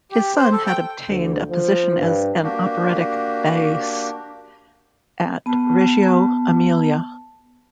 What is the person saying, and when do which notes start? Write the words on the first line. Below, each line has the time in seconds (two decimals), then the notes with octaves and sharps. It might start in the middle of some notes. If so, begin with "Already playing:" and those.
His son had obtained a position as an operatic bass at Reggio Emilia.
0.12 G4
0.36 C5
0.52 A4
0.66 G5
1.09 D2
1.50 F3
1.99 G2
2.44 A#3 D4 F#4 G4
5.46 B3 A5